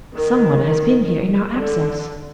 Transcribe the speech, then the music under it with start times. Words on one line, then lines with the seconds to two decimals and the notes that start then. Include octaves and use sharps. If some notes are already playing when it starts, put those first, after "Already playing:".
"Some one has been here in our absence."
0.15 D#3
1.54 D3